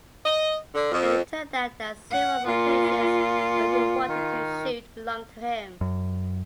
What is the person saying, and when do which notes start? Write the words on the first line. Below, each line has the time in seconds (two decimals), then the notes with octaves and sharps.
It turned out that several locations where we wanted to shoot belonged to him.
0.25 D#5
0.75 D3
0.92 F2
2.11 F#5
2.47 A#2 F4
4.09 D#3
5.81 F#2